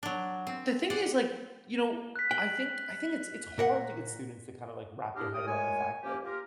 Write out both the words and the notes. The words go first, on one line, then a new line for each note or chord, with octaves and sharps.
the thing is, like, you know, I think I think it's it's hard to get students to kinda, like, wrap their head around the fact that, like,
F#3 D4
C4
C5 D5 F#5
F#6 B6
G5 F#7
A#2 A#4 F#5
G3 D4 E4 G4 D#5 F5
G4 A#4 D5 G5 D#6
A#2 G#3 A3 C#5 G#5
F3 A#3 C#4 G4
F4 G4 A#4